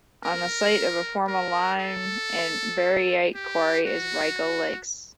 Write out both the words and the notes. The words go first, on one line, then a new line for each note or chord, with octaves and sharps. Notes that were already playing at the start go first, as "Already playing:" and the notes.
On the site of a former lime and baryte quarry, is Raygill Lakes.
A#4
A#4
A4
G4
F#4